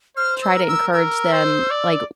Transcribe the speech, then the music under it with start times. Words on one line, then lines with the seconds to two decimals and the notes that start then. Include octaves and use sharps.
try to encourage them, like,
0.17 C5 F6
0.42 E6
0.56 A#4
0.68 E6
0.93 A#4 E6
1.32 C5
1.71 D5